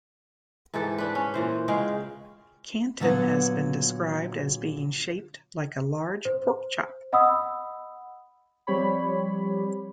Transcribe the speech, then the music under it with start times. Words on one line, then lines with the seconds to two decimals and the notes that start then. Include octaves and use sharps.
Kanton has been described as being shaped like a large pork chop.
0.74 G#2 E3 G4 A4
0.98 D4 B4
1.15 C#4
1.34 A#2 E3 C5
1.68 C#3 G#3 F5 G5
3.00 A#2 D3 F#3 B3
6.25 C5
7.12 D#5 F#5 B5 D#6 E6
8.67 F3 G3 C4 G4 C#5 B5